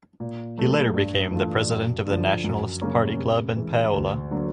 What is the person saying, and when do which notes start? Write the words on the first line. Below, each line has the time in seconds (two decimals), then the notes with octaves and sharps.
He later became the president of the Nationalist Party club in Paola.
0.20 A#2
0.58 F#3 A3
0.94 G2
1.31 E3 A3 D4 F4
1.70 F#2
2.06 D3 F3
2.44 F#2
2.81 C#3 F#3 A#3 C#4
3.19 C3
3.56 E3 G#3
3.93 D2
4.31 D3 F#3 A#3